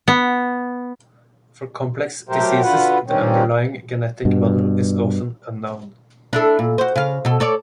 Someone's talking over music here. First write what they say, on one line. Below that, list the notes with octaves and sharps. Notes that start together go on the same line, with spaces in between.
For complex diseases, the underlying genetic model is often unknown.
B3
F#3 A3 G4 A#4 C5
D3 F4 F#4 B4 F#5
G2 D#3 G3 C4 C#4
G2 B2
D4 E4 A4
A#2
F#4 C5
C#3 F5
B2 A4
A4 C#5 D5